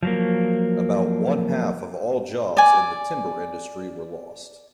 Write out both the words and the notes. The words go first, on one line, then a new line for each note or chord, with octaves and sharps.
About one-half of all jobs in the timber industry were lost.
F3 F#3 A#3
D5 G#5